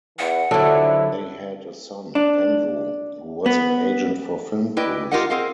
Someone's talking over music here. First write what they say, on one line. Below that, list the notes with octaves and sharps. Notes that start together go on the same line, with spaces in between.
They had a son, Andrew, who was an agent for film crews.
E2 E3 F#5
A#1 D#2 D3 F#3 E4 A4
D4
B3
E4 B4 D5 D#5 G5
F4 G4 A#4 D#5 F#5
C4 G#4 A#4 D#5 F5